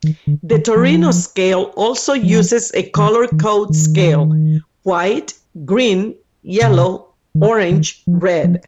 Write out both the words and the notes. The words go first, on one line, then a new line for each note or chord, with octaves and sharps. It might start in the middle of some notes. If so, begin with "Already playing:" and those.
The Torino Scale also uses a color code scale: white, green, yellow, orange, red.
D#3
D3
D#3
F3
F3
D#3
D#3
D#3
C3
D#3
D#3
F3
F3